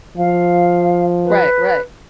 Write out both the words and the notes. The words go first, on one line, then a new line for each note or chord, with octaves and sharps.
Right, right.
F3 F5
B4